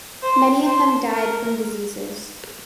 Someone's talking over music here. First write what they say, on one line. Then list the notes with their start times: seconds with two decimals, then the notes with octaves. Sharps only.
Many of them died from diseases.
0.23 C5
0.67 C5
1.11 A#4